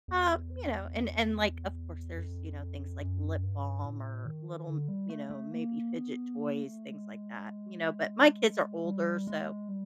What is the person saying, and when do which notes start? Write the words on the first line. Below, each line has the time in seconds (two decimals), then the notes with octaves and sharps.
uh, you know, and and like, of course, there's, you know, things like lip balm or little m you know, maybe fidget toys, things like that. You know, but my kids are older, so,
0.08 E2
2.17 F2
3.01 F#2
3.43 G2
3.84 A2
4.25 D#3
4.67 D3
4.88 G3
5.10 A3
5.30 A3
5.52 A#3
5.93 B3
6.34 A#3
6.63 A3
6.91 G#3
8.85 G3
9.27 G#3
9.69 G3